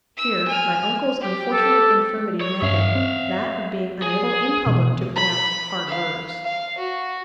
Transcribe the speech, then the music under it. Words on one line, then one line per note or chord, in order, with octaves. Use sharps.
Here my uncle's unfortunate infirmity met him--that of being unable in public to pronounce hard words.
E6
G#5 F6
G4
A4
C#5
G2 C#4 E5 F5
C4
G#4
B2 E3
B5
F5
F5
F#4